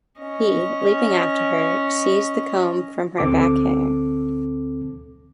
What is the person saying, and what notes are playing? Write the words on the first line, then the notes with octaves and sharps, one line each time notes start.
He, leaping after her, seized the comb from her back hair.
C#4 D#5
D2 D3 C4 A4 D6